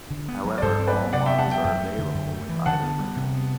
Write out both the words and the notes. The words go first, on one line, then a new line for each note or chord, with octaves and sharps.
However, all models are available with either version.
D3
B3
F#3
D5
G2 A4 C5
C4
B4 D5
F#3
C3 D5 F#5
B3 E5 G5
F#5 A5
F#3 E5 G5
F#2 E5 G5
A3
D3
F#2
A3
E3
D3 F#5 A5
B3
G3
C3
B3